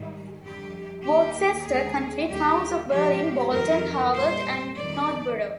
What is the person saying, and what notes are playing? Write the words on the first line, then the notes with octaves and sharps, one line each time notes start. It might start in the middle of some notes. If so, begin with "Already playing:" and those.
Worcester County: Towns of Berlin, Bolton, Harvard, and Northboro.
Already playing: G#2 D#3 G3
F2 D3 G3 G4
D#2 D#3 G3 G4
D#2 D3 G#3 G#4
D#2 D3 G3 G4
G#2 F3 G#3 G4
F2 D#3 G3 A#4
A#2 G3 C5
F2 D#3 G3 D5